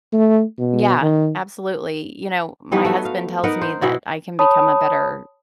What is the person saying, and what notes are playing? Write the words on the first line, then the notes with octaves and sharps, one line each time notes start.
Yeah, absolutely, you know, my husband tells me that I can become a better,
A3
B2
D#3
E3 G3 B3 D#4
A3 F#4
F5
B3 D#4 A#4 F#5
C5
B2 E4 F#4
C#5 A5 B5 D#6